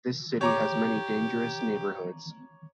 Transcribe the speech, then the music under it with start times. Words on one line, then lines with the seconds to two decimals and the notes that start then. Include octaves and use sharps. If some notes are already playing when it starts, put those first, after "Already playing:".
This city has many dangerous neighborhoods.
0.41 G4 C#5 A#5 D6